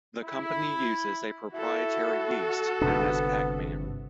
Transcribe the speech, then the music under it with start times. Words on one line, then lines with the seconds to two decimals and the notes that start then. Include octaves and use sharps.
The company uses a proprietary yeast known as "Pacman".
0.23 E4
1.54 E4 F#4 A4
2.81 G1 C3 B3 D4